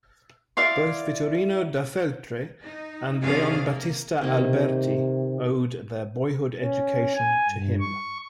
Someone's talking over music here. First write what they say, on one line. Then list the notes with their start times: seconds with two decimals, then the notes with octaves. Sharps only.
Both Vittorino da Feltre and Leon Battista Alberti owed their boyhood education to him.
0.57 E4 D5 F5 C6
2.62 D#4
3.22 C3 F3 C#4 D4 G#4 F5
3.61 A#3
4.21 C3 D#3 A#3
6.59 C#4
7.15 G#5
7.49 G2
7.80 C#6